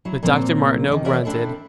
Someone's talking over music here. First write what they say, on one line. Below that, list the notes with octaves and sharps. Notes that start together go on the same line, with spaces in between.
But Dr. Martineau grunted.
F#3 E4
A#2 F3 F#3 A#3 C4
E2 D#3
E3 A#4 B4 C#5 D5 E5
C4 D4 E4 A4